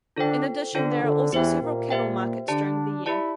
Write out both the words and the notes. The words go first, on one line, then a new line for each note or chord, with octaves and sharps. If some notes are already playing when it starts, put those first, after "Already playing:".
In addition, there are also several cattle markets during the year.
D3 D4 F4 A4 C5 G5
D3 F4 A4 C5 G5
D3
E2 E3 G4 C5 E5 G5
A#2 A#3
G4 C5 E5 G5
D3 D4 G4 D5 A5
E4 G4 D5 A5